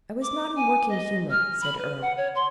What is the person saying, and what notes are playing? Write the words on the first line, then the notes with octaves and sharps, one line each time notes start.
"I was not in working humor," said Earle.
D6
G#5
D#5
F6
B5
B4
F#5
C#5
C6